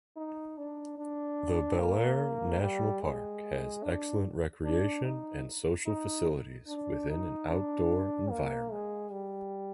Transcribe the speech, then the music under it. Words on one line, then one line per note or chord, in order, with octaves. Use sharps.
The Belair National Park has excellent recreation and social facilities within an outdoor environment.
D#4
D4
D4
A#3
G3
G#3
D4
D4
D#4
D#4
D4
D#4
D4
A#3
G#3
G3